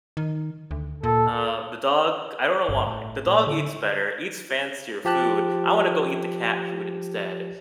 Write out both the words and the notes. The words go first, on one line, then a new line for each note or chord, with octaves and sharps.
Uh, the dog, I don't know why. The dog eats better, eats fancier food. I wanna go eat the cat food instead.
D#3
D2
A#2 A4
G1
A2
A#2
D3
F3 G4 A5 F#6